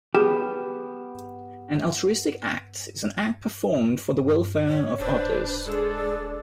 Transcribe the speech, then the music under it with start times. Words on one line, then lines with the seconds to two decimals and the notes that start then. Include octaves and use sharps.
An altruistic act is an act performed for the welfare of others.
0.15 B3 G4 G#4
4.22 G2
4.67 A2 C#5
5.00 D#1 D4 B4 C5
5.65 G#3 D4 G#4 A4